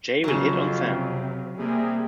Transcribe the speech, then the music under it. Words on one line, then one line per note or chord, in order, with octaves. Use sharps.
Jay will hit on Sam.
F2 C#3 F#3 F4
C3
C3 G3 A#3 G#4